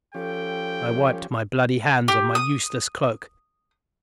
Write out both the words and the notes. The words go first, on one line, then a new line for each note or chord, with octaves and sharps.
I wiped my bloody hands on my useless cloak.
F3 C#4 G4 A4 G5
G4
D#6